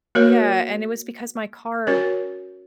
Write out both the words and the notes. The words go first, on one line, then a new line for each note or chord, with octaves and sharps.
Yeah, and it was because my car
A#3 F#4 A#4 C#5
C#4 F#4 A#4 C#5